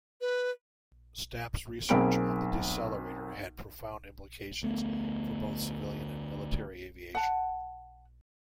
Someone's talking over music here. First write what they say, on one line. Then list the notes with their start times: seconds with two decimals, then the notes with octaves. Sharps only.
Stapp's research on the decelerator had profound implications for both civilian and military aviation.
0.21 B4
1.89 B1 A#3 C4 G#4 B5 D7
4.63 D2 A3 B3
7.15 F#5 A5